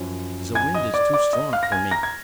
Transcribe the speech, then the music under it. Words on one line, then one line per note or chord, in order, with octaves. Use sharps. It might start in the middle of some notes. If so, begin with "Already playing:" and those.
"Ze wind is too strong for me!"
Already playing: F#2 F3
G#5 G#6
D#5 D#6
D5 D6
D5 D6
D#5 D#6
F5 F6
A#6
G#5 G#6
A#5 A#6
G#6